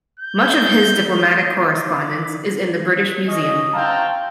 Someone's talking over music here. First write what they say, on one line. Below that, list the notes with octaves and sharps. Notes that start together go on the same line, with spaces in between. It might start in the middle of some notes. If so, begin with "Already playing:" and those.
Much of his diplomatic correspondence is in the British Museum.
G6
D5
C#4 D#5
C4 F#4 F5 G5 A5 A#5